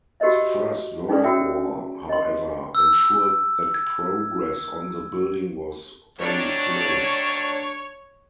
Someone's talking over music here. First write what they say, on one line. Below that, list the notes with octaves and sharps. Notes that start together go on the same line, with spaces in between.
The First World War, however, ensured that progress on the building was very slow.
F#4 G4 A#4 C5 D#5 E5
C#4 D#4 G#4 A4 B4 D5
F#4 A#4 C#5 E5 G5
D#5 C6
E6
G#6
D2 D#3 D4 C#5